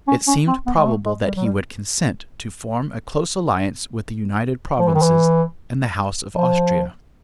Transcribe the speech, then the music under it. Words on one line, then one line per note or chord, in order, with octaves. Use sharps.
It seemed probable that he would consent to form a close alliance with the United Provinces and the House of Austria.
C#4
C#4
C4
B3
G#3
A3
G#3
G3
F#3
G3
F3
E3
D#3
E3
F3